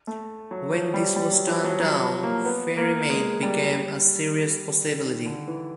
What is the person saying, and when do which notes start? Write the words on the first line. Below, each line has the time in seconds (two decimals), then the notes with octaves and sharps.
When this was turned down, Ferrymead became a serious possibility.
0.07 A3
0.51 F#3
0.72 F3
0.94 G3
1.16 G3
1.32 F#3
1.47 F3
1.64 F#3
1.80 F#3
2.23 A#3
2.45 B3
2.77 A#3
3.10 G#3
3.43 G3
5.04 D#3
5.26 D3
5.48 E3